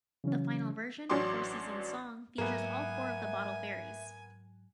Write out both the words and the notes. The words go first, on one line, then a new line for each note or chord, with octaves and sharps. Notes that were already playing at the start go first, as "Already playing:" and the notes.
The final version, "Four Seasons Song", features all four of the Bottle Fairies.
C#3 E3 F#3 C#4
A1 F#3 C#4 D4 C6 D6
G#2 F#3 A#3 B3 E5 G#5